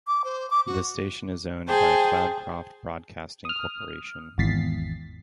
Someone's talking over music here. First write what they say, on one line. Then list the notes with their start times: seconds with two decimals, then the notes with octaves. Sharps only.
The station is owned by Cloudcroft Broadcasting Corporation.
0.07 D6
0.24 C5
0.51 D6
0.67 F#4
1.67 G#4 C5 G5 A5
3.45 D#6 F6
4.38 G#1 E2 A6 B6 C7